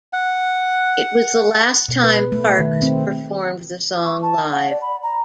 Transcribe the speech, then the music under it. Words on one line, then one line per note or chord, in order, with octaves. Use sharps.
It was the last time Parks performed the song live.
F#5
B2
B4
A3
D#3
C4
C#6
A5
F#5
D5
B5
A#5